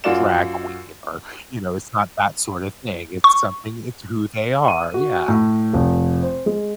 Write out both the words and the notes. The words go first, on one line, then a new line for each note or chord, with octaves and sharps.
drag queen or, you know, it's not that sorta thing, it's something it's who they are, yeah.
F#2 F4 F#4 D5 F#5 E7
C#6
D#7
F#4
A2
F1
C5
G#3